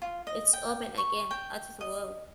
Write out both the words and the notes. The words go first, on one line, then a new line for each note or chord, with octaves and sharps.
It is open again at twelve.
F4
D#5
G5
C#6
G5
D#5